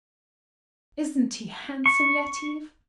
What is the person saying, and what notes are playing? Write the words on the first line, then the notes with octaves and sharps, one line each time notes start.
Isn't he handsome, Yetive?
C#6